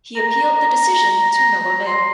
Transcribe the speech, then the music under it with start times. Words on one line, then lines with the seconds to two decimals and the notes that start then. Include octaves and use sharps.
He appealed the decision to no avail.
0.16 A#5
1.86 C6